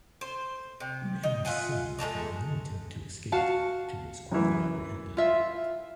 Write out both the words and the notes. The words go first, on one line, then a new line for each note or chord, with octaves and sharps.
Udham Singh made no attempt to escape and was quickly apprehended.
C5
C3
D#4
F4 E5 F#5 G#5
G#3 A3 A5 A#5
F#4 F5 A5
F#2 E3
F4 E5